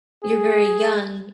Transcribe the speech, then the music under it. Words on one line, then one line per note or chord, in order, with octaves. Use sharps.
you're very young,
G#4